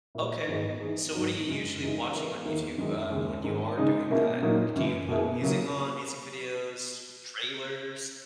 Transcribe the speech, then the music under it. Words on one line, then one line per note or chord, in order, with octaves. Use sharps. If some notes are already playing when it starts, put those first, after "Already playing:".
Okay, so what are you usually watching on YouTube, uh, when you are doing that? Do you put music on, music videos, trailers?
A#2 A#3 E4
G#2 D#3 G#3 B3
E3 B3 D#4 G#4
G#2 F#3 B3 D#4 F#4
F#2 C#3 G#3
C#3 E3 G#3 D#4
E3 B3 E4 A#4
E2 D#3 A#3 E4 A#4
F#2 D#3 G#3 D#4
D#2 C#3 G#3
G#2 D#3 G#3 D#4
C#3 G#3 D#4 G#4
B2 A#3 C#4 E4 A#4
A#2 F#3 A#3 D#4
F#2 C#3 E3
B2 A#3 E4 G#4
C#3 F#3 A#3